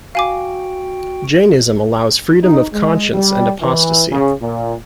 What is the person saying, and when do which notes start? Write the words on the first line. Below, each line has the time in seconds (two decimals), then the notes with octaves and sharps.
Jainism allows freedom of conscience and apostasy.
0.15 F#4 F5 G5 G#5 D6
2.41 D#4
2.72 G#3
3.13 G3
3.60 E3
4.10 C#3
4.40 A#2